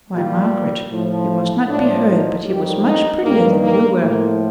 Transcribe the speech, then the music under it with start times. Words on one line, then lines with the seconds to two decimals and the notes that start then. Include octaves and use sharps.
'Why, Margaret, you must not be hurt, but he was much prettier than you were.
0.14 A#2 G3 F4
0.92 A2 F3
1.68 A2 F3 D4
2.07 D#4
2.46 F2 D#3 G3 G4
2.85 D#4
3.23 G2 D#3 G3 A#3
3.62 A#3
4.00 A2 F3 A#3